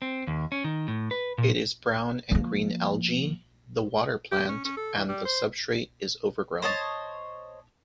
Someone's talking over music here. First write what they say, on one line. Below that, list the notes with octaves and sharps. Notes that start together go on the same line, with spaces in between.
It is brown and green algae, the water plant and the substrate is overgrown.
C4
D#2
C#4
D#3
A2
B4
A#2
F3 A#3
G4
C#4
C#4
A4
E3
G3
C5
C5 C#5 D#5 A5